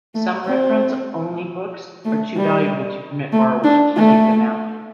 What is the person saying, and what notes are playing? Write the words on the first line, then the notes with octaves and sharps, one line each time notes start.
Some reference-only books are too valuable to permit borrowers to take them out.
A3
C4
A3
G3
A3
D4
A3